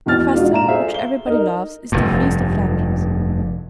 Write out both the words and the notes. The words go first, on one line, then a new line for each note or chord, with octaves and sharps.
A festival which everybody loves is the Feast of Lanterns.
E2 B2 E4 F6 A6
G#3 D4 D#4 F4 F#4
A#2 A#5 E7
G#4 A4 C5 E5 F5
G7
D#4 A#4
F1 G2